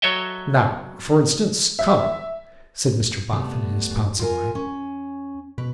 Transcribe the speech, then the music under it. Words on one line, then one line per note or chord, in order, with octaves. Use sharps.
'Now, for instance--come!' said Mr Boffin, in his pouncing way.
F#3 A4 C#5 D#5 E5 G5
E5
C3 G3 A3 B3
F#2
E2 F4 A#4 G#5
C#4
B2 B4